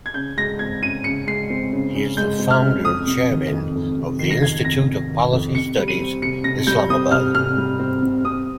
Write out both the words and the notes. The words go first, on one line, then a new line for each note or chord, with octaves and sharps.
He is the founder chairman of the Institute of Policy Studies, Islamabad.
G#6
C#3 G6
G#3 A#6
C4 G#6
C#3 D#7
C#3 C#7
G#3 C7
C4
C#3
C#3
G#3 G6
C4
F6
C#3
F2 D#6
C3
D#3
F2
F2
C3
D#3 C7
A#6
F2 G#6
F2 A#6
C3
D#3
F2
C3 C#7
G3
D#7
C4
C3 C#7
C3 A#6
G3 G6
C4 D#6
C3 F6
C3 F6
G3
C4
C3
C4 D#6